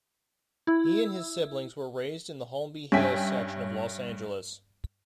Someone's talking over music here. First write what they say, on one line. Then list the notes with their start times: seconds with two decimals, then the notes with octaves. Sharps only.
He and his siblings were raised in the Holmby Hills section of Los Angeles.
0.67 E4
2.92 G2 C#4 E5 G5 G#5 B6